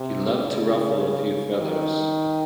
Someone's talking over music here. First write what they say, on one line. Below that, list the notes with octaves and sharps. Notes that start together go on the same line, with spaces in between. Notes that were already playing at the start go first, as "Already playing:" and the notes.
He loved to ruffle a few feathers.
Already playing: C3
C#3
D#3